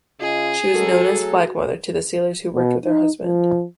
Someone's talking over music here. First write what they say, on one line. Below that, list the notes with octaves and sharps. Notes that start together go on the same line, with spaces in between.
She was known as "Flag Mother" to the sailors who worked with her husband.
C#3 F4 G#4 D#5
G#3 C#4 F#4 A4 A#4
F#3 A3 G#4
B2
D#4
F3